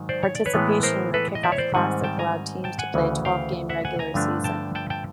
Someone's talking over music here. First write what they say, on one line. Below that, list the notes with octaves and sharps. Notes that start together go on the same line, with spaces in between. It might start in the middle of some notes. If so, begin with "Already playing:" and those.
Participation in the Kickoff Classic allowed teams to play a twelve-game regular season.
Already playing: G#2 D#3 F#3
C5 D5
C#5
D5
B4 C#5
A2 E3 G#3 B3
A#4 C5
A4 B4
D#5
D5 E5
C#5
C5 D5
G#2 D#3 G3 C4 F#5 G#5
G5 A5
G#5 A#5
G5 A5
F#5 G#5
D2 C#3 E3
F5 G5
E5 F#5
F#5 G#5
G#5 A#5
G2 D3 F3 A3 D4
G5 A5
G5 A5
G5 A5